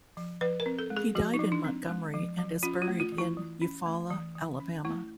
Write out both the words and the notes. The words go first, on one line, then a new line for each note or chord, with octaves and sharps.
He died in Montgomery and is buried in Eufaula, Alabama.
F3
F3 B4
A#4
C4
A4
G#3
G#4
F3 F#4
D#4
F3
D4
C4
G#3
F3
F3
C#4 F4
F4
A3
F4
E3
E4
E3
C#4
A3
E3
E3
C#4
A3 E4